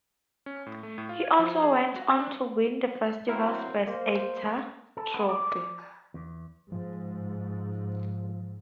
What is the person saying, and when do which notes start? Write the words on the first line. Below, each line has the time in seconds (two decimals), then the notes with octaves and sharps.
He also went on to win the festival's best actor trophy.
0.46 C#4
0.66 A2
0.83 A3
0.98 A2
1.09 F4
1.25 G#6
1.39 F3
1.63 G#4
1.76 B5
1.96 F#4
2.08 C4
2.20 D4
3.29 F#3 A#3 C4 E4 A#4 E5
3.87 A#3 C5
4.97 A4
5.14 B3
5.29 D5
6.14 E2
6.72 G#2 F3